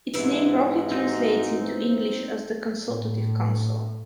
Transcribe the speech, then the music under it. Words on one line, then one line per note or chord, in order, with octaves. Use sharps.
Its name roughly translates into English as "the Consultative Council".
E2 G#2 C3 E3
C4 D#4 F#4
C5
A2